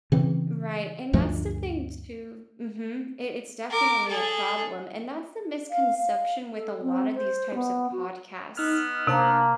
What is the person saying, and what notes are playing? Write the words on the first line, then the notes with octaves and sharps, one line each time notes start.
Right, and that's the thing too Mhm. I it's definitely a problem and that's the misconception with a lot of these types of podcasts.
C#3 E3 C4
D2 G2 F3 A3
A#4 D6
G#4 A4
F5
F5
A4
C4
C5
B3
F#4
B3 D#4 E6 F6
C3 A#3 D4 C5 A5